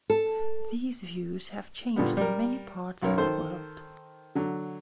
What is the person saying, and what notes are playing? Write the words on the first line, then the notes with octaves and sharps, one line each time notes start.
These views have changed in many parts of the world.
A4
A#2 D3 G3 B3
G3 A#4
B1 F#2 A#4 C#5
D#3 A4 C5 C6
D3 F#3